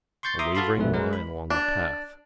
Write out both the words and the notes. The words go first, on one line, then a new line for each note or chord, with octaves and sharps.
A wavering line along the path.
C6 C#6 G6 A6 C7
E5 A#5 C6 D6 D#6
F#4 A4 F5 A5 B5 C6
A#1 G#2 B2 A3 B4
G#3 A#4 B4
B5
D4